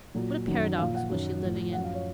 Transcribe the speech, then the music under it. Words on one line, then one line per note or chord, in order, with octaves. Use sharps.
What a paradox was she living in!
A#2 F#3
F#2 D#3 F#3
A#2 F3 F5
F#5
F#2 D#3 F#3
A2 F3
F#2 F3 F#5
F5
C#5